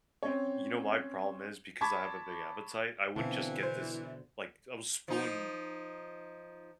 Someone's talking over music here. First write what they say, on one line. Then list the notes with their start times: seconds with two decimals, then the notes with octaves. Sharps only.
Y you know, my problem is because I have a big appetite, I would just get this, like I would spoon
0.23 C4 C#4 C#5
1.81 A5 B5 C#6 D6 G#6 B6
3.16 B2 D3 E3 C4 F4 A5
3.63 E4 C5
5.08 F3 D#4